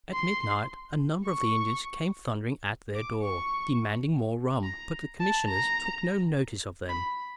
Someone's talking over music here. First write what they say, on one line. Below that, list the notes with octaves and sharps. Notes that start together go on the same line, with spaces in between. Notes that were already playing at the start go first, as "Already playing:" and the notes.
At midnight, a number of the Indians came thundering at their door, demanding more rum; but the commissioners took no notice of them.
C6
C#6
D6
C#6
A#5
A5
A#5
B5